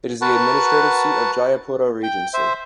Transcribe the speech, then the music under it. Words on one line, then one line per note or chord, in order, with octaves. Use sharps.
It is the administrative seat of Jayapura Regency.
F#4 A#4 B4 F#5 A5
G5
C5 E5